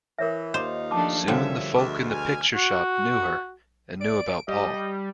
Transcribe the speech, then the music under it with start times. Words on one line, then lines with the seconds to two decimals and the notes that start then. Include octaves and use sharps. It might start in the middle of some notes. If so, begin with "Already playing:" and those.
Soon the folk in the picture-shop knew her, and knew about Paul.
0.18 E3 A#4 C#5 E5
0.54 D#2 D#4 F4 C5 D#5 C6 D6
0.91 F3 A3 D4 A5 C6 D6
1.28 F#2 A#2 D3 F3 G3 C#5 E5
1.76 D2 B2 G#4 D6
2.11 G#5 F6
2.55 F#4
4.01 D5 D7
4.48 G3 D#5